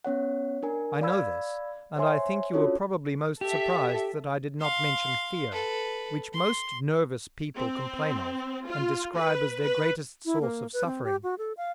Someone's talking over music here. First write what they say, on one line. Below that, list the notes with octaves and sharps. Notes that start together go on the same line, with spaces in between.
I know this, and I think you were probably most surprised that I did not mention fear, which most nervous people complain of and describe as their greatest source of suffering.
B3 C#4 C#5 F#5
D4 A#4 G#5
D5 F5 B5 E6 G#6
C5 C#5 E5 G#5 C6
C#4 D4 F4 F#4 A4 C#5
G4 A4 E5
F5 C6
A4 B4
C6
C4
F4
B4
B4
E4
A#3
B4
C4
G4
F#4
A4
F5